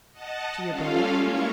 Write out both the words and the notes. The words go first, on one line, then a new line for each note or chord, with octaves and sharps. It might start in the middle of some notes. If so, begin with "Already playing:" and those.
"To your brother?"
D#5 F#5 A5
G3 C#4 F4 A4 F5
G#3 A#3 E4 C#6 F6